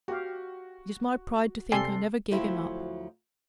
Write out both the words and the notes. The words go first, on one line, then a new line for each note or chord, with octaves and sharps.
It is my pride to think I never gave him up.
F#4 G4 F5
C3 G3 A4 G#5 C6 C7
D2 F3 F#3 E4 C5 E5